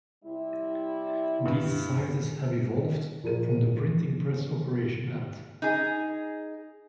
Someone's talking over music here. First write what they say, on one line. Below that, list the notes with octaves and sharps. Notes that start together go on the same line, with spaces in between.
These sizes have evolved from the printing press operation end.
C3 G3 E4
G2
A#2 F3 G#4 A#4 D#7
D#4 G#4